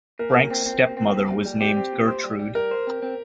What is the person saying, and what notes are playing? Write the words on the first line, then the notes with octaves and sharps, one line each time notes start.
Frank's stepmother was named Gertrude.
A#2 A#4
A#2
C4
C4
A#2
C4
A#2
A#2
G3
C4 G4
C4
A#2
C5
G3
G3
G3 A#4
C5
C4
C4